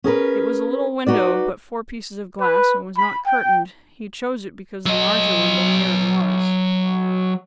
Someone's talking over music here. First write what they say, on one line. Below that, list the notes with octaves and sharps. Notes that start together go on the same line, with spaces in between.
It was a little window of but four pieces of glass, and was not curtained; he chose it because the larger window near it was.
C#4 G#4 A#4 B4
D#4 F#4 B4 D5
B4
B5
G5
F#3 D#5